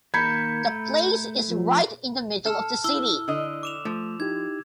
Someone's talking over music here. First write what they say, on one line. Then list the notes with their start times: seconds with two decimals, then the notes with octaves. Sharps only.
The place is right in the middle of the city.
0.14 D#3 A#3 A#5 B5 G6 G#6 B6 C#7
0.66 A3
1.50 F3
2.46 A4 F6
2.84 E4 E6 G7
3.28 D3 D#5
3.63 D6 E7 F7
3.85 F3 A3
4.20 D#4 E4 G4 G#6